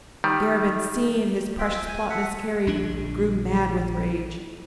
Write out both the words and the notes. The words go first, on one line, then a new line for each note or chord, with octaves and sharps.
Garabin, seeing his precious plot miscarry, grew mad with rage.
D#3 G3
C4 F4 E5 G5
G#5
A4 E5 F#5
A#1 A#2 D3 D4